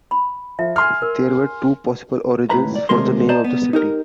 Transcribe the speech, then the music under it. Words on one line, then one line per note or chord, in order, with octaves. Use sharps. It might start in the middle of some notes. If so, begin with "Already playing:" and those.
There are two possible origins for the name of the city.
B5
F3 E5
G#5 C6 F6
A#4
C#2 A2 B4 A#5
D5
D#2 C3 G#3 A3 A#4 C6
C5 D5 D#5 A5 A#5
B3
D#4 G4 A#4